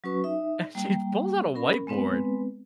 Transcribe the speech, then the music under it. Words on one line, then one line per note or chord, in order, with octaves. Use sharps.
and she pulls out a whiteboard
F#3 C#4 F#4 B4 C#6
D#4 E5
G3 A#3 G5
C#4 A#4 B5
G#3 B3 C4 B4